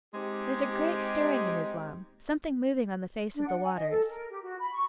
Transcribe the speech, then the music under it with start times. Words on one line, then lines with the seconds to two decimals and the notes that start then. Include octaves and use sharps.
There's a great stirring in Islam, something moving on the face of the waters.
0.15 G#3 C4 D#4 G4
3.35 D4
3.47 F#5
3.63 G#5
3.75 D#5
3.90 A4
4.08 A#4
4.31 G4
4.42 F#4
4.60 B5
4.73 C#6